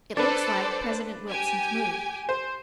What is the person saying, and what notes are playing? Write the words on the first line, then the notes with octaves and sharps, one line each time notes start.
It looks like President Wilson's move.
D4 A4 B4 C5 D5
G4 G#5
C5